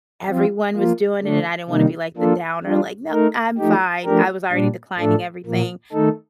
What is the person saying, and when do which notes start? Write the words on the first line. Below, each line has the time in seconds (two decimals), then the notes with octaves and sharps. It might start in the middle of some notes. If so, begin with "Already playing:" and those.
"everyone was doing it" and I didn't wanna be like the downer. Like, "No. I'm fine." I was already declining everything.
0.28 F3 C4 F4
0.75 F3 A#3 F4
1.23 D3 A3 D4
1.69 C3 D#3 G3 A#3 D#4
2.16 F3 A#3 D4 F4 A4
2.64 G3 D4 F4
3.11 A3 D#4 A#4
3.58 F3 A3 D#4 G4
4.04 F3 A3 D4 G4 A#4
4.52 A#2 G3 D4
4.98 A2 F3 A3 D4 A4
5.46 A#2 F3 A#3
5.92 D#3 A3 D#4 A4